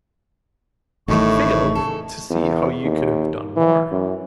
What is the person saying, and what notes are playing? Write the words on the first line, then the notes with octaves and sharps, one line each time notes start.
"I fail to see how you could have done more."
A1 A2 D#3 A3 D#4 C#6
C#3 A4
E2
D#2
E3
F#2